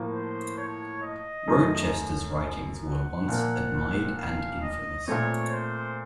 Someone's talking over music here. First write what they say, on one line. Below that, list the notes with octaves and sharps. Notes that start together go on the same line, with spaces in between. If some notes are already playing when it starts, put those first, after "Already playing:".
Rochester's writings were at once admired and infamous.
Already playing: A2 F3 A#3
C5
C#5
D#5
F#2 D#3 A3
F#5
A#2 F3 A#3
F5
D#5
A#2 A3 C4 C#5
C5